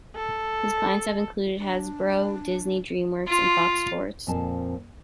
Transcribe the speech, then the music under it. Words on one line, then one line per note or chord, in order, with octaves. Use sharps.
His clients have included Hasbro, Disney, DreamWorks and Fox Sports.
A4
D4
F4 C6
F2 A#2 C4 A#4 G#5 A5